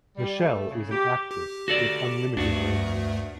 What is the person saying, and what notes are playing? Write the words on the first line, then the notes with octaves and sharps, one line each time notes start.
Michelle is an actress with unlimited range.
G3
A3
C#3
G4
G4
F#4 A4 D5
D2 G2 A3 D4 F#4